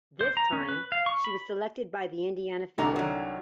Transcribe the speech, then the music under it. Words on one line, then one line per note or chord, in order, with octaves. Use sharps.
This time, she was selected by the Indiana Fever.
C5
A#5
C#4
B4
F5
C#6
B5
C2 D3 F#4 D5 D#5 A#5
D#3 F#3